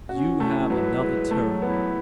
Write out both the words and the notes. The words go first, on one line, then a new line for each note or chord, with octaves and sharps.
"You have another turn."
C#4 F#4
A3 E4
F#3 B4
G#3 E4
F#3 A3
B3 E4